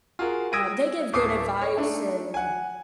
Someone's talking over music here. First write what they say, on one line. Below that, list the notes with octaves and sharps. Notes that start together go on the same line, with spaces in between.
um, they give good advice, and,
F4 F#4 G#4 A#4
D#6 E6 G#6 A#6 D7 D#7
D1 A2 D6 D#6 C7
C#5
A3 D4 D#4
F#5 G#5